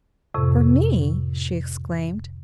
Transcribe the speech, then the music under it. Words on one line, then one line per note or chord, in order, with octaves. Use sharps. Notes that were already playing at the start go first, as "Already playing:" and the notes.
"For me!" she exclaimed.
F2 A2 C3